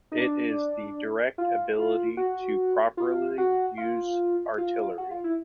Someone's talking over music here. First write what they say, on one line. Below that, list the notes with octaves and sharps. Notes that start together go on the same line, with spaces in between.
It is the direct ability to properly use artillery.
D#4
D4
F4
F4
F#4
F4
F#4
F4
F4
F#4
F4
E4